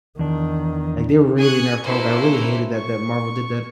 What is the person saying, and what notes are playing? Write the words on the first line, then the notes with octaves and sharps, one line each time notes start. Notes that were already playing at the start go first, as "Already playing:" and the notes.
Like, they were really nerf talk, I really hated that that Marvel did that.
E2 D#3 D4
G#5 C#6 D#6 F#6 G#6
A#3 C#4 E4 A4 B4 C5
C#6